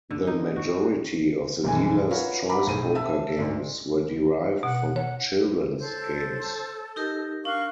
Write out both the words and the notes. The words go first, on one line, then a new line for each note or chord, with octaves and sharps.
The majority of the dealer's choice poker games were derived from children's games.
D3
D#4
F#4
F#1 B1 D#3 E3 G#3 G#5
F4 F#4 A#4 B4 C#5 F5
F#5 A#5 B5 D6
B1 A2 G#4 C5 D#7
E5 A5 E6
D2 G#2 D5
B2 F#5
C#5 F#5
A4 C5 C#5
D#4 G4 A#4 D#5
D4 A#4 F5 C#6 F6 F#6